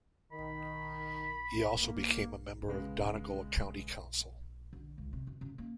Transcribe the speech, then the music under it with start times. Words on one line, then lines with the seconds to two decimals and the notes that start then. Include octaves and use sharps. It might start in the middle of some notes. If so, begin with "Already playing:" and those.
He also became a member of Donegal County Council.
0.32 D#3 B5
1.79 A#3
2.68 C#3 G#3 B3
4.73 D3
4.98 C#2
5.13 C3
5.27 F1
5.41 C#3
5.58 A#3